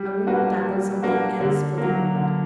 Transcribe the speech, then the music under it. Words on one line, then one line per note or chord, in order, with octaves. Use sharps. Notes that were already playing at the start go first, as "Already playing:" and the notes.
I want to tackle something else for the moment.
Already playing: G3
A#3 D4 F#4 B4
G3
A#3 D4 F#4 B4
D3
F#3 A#3
D3